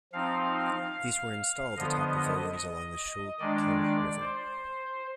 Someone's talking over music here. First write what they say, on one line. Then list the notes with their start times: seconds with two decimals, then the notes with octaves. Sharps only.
These were installed atop pavilions along the Schuylkill River.
0.13 F3 C4 D#4 F5
1.76 D3 F3 B3 D#5
3.39 D#3 G#3 D4 D5
4.21 C5